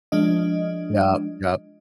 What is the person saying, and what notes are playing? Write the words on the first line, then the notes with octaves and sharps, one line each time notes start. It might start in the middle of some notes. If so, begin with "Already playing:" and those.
Yup, yup.
F3 G#3 D4 D#5